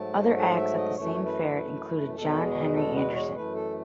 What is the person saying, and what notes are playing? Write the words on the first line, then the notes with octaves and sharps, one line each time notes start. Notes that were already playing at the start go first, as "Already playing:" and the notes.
Other acts at the same fair included John Henry Anderson.
Already playing: G#2 F#3 A3 A5
F#5
E5
D#5
F#2 E3 A3 C#5
B4
A4
B4
E2 B2 G#3 A4
G#4
A4
B4
C#5
F#2 E3 A3 B4
A4